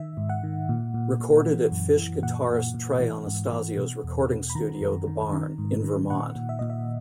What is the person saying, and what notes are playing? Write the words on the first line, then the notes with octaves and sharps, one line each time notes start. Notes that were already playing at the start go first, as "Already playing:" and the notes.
Recorded at Phish guitarist Trey Anastasio's recording studio The Barn, in Vermont.
Already playing: D#3 E5
G#2
F#5
D#3
A#2
A#2
A#2
E3
F#2
E3
A#2 F#5
A#2
A#2
E3
G#2
E3
B2
E2
B2
B5
D#3 A#5
F#2
D#3
D#3
G#2
D#3
A#2 F#5
A#2
E5
A#2 D#5
E5